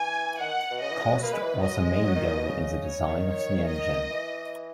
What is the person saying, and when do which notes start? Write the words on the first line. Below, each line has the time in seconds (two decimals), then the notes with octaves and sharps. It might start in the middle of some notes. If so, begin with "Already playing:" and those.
Cost was the main goal in the design of the engine.
Already playing: E3 G#5
0.40 D#3 F#5
0.71 B2
0.81 C#3 D#5
0.92 E3
1.02 G#3
1.13 F#3
1.22 A#3 B4
1.33 G#3
1.43 E3
1.54 D#3
1.63 F#3 D#5
1.78 G#3
1.91 G#3
2.05 F#3
2.16 D#3
2.26 A#2
2.36 B2
2.47 C#3
2.88 C#5
3.08 D#3
3.29 C#5
3.70 D#5
4.11 E3